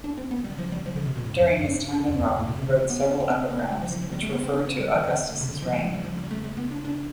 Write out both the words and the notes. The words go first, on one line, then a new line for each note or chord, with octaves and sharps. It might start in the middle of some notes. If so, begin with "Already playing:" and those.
During his time in Rome, he wrote several epigrams, which refer to Augustus' reign.
D4
C4
B3
G3
F3
G3
F3
D3
C3
B2
A2
F2
G2
F2
F2
F2
A2
B2
C3
D3
B3
C4
D4
C4
C4
B3
G3
F3
F3
F3
G3
A3
B3
C4
D4
C4
G3
E3
D3
C3
D3
F3
G3
F3
G3
F3
G3
A3
A3
B3
D4
D4